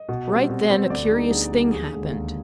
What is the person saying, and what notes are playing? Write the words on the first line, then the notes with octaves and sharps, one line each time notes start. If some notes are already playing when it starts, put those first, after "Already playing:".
Right then a curious thing happened.
Already playing: D#5
B2
G3 C4
B2
G3 C4
D2 D5
D3 G3 B3 D#4
D2 G#4
D3 G3 B3 D#4
D#2 G#4
D3 G#3
D#2